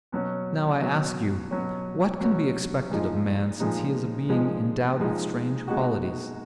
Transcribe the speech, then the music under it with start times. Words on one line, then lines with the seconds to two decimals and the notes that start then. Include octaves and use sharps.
Now I ask you: what can be expected of man since he is a being endowed with strange qualities?
0.12 B2 F#3 C#4
0.82 B2 F#3 C#4
1.51 B2 F#3 C#4
2.21 B2 F#3 C#4
2.90 A#2 F3 G#3 D#4
3.60 A#2 F3 G#3 D#4
4.29 A#2 F3 G#3 D#4
4.98 A#2 F3 G#3 D#4
5.68 B2 G#3 D#4 F#4